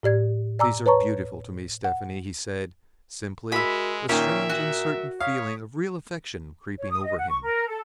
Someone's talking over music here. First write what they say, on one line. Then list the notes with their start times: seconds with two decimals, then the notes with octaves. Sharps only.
"These are beautiful to me, Stephanie," he said, simply, a strange, uncertain feeling of real affection creeping over him.
0.03 A2 G4 D5 G#6
0.59 D5 G#5 A#5 D6 E6
0.86 B4 C#5 A5 A#5 C#6
1.84 F#5
3.52 G#3 F#4 A#4 E5 B5
4.09 A#2 D#3 C#4 A#4 E5 D7
4.50 F#4
5.20 C#5 F5 D#6 B6
6.78 C#5
6.90 D#6
7.03 D#5
7.18 F#5
7.29 C#6
7.43 A#4
7.67 A4